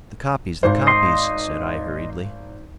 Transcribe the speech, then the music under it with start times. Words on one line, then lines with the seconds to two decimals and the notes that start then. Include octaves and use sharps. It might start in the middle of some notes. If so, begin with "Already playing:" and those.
"The copies, the copies," said I hurriedly.
0.63 G#1 C5
0.87 D#5 C6